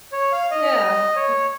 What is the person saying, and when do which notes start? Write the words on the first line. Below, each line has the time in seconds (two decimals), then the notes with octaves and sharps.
yeah, y
0.12 C#5
0.32 F5
0.51 D#5
1.16 C#5